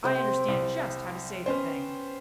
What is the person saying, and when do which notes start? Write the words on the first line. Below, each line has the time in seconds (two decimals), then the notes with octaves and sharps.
I understand just how to say the thing.
0.04 C3 C5 G5
0.48 C2
1.46 B3 C#4 C5